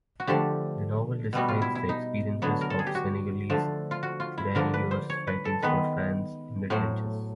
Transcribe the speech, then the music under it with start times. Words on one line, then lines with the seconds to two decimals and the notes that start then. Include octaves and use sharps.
The novel describes the experiences of Senegalese Tirailleurs fighting for France in the trenches.
0.20 F#4
0.27 D3 F3 A3 G4
1.33 B2 G3 B3 F#4
1.48 F4
1.62 E4
1.75 E4
1.89 D#4
2.42 D3 F#3 B3
2.61 A#4
2.70 A4
2.79 G#4
2.87 G4
2.95 F#4
3.49 D3 F3 A3
3.91 F4
4.03 F#4
4.20 F4
4.38 E4
4.55 D3 F3 A#3 A#4
4.74 B4
4.91 C5
5.10 C#5
5.27 B4
5.45 A4
5.62 D#3 G#3 B3 B4
6.70 A2 F#3 A3 C5